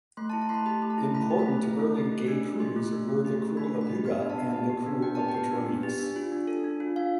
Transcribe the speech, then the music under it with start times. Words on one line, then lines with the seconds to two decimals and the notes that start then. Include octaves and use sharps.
Important early gay krewes were the Krewe of Yuga and the Krewe of Petronius.
0.17 A3 C6
0.30 A5
0.33 E4
0.42 A5
0.49 A3 B5 C6
0.66 G4 B5
0.82 A3
0.90 A5
0.98 E4
1.14 A3 B5
1.31 G4
1.39 B5
1.46 A3
1.63 E4
1.79 A3
1.95 G4
2.11 A3
2.28 D4
2.44 A3
2.60 G4 C6
2.76 A3
2.92 D4
3.08 A3
3.25 G4
3.40 A3
3.57 D4 B5
3.74 A3
3.81 B5
3.89 G4
4.05 B3 B5
4.21 D4
4.30 A5
4.38 B3
4.54 G4
4.70 B3
4.86 D4
5.02 B3 G5
5.15 G4 A5
5.28 G5
5.35 B3
5.51 D4
5.67 B3
5.83 G4
5.99 D4
6.16 F4
6.32 D4
6.47 A4
6.64 D4
6.80 F4
6.96 D4 F5